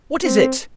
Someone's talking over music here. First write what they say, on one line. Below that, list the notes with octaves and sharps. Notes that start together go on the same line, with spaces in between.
What is it?
C4